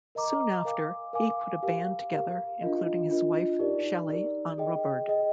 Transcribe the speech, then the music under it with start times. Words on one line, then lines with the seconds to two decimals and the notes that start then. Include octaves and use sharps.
Soon after, he put a band together, including his wife, Shelly on rubboard.
0.15 A#4 D#5 A#5 D6
0.65 A#4 F5 G#5 D6
1.13 A#4 F5 G#5 D6
1.63 G4 A#4 F5
2.12 G4 A#4 F5
2.61 D4 F4 A#4 D#5
3.10 D4 F4 A#4 D#5
3.59 D#4 G4 A#4 D5
4.09 D#4 G4 A#4 D5
4.58 G#4 D#5 G5
5.08 G#4 D#5 G5